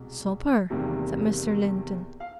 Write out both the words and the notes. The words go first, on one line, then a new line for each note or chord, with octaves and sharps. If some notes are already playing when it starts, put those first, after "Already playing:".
"Supper?" said Mr. Linton.
Already playing: C2 B2 G#3
E2 C3 D#3 G3 A#3
F5